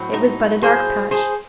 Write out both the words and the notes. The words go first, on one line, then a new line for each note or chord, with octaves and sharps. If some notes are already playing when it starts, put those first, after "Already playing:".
It was but a dark patch.
Already playing: A2 F#3 C4
D#4
G#4 C5
G#4 C5